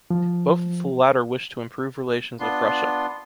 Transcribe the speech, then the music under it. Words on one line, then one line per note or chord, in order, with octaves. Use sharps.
Both of the latter wish to improve relations with Russia.
F3
B3 D4 F4 C6